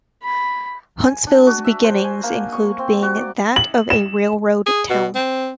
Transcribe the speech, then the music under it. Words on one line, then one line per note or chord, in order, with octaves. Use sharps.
Huntsville's beginnings include being that of a railroad town.
B5
G#5
D4
F#4
E5
C5
G#5
A#3
C#6
C4
F#4
D5
F#7
E7
G#4
B2
C4